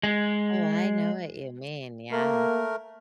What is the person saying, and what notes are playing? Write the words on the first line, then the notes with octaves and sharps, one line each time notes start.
Oh, I know what you mean, yeah.
G#3
A3 A#3 A#4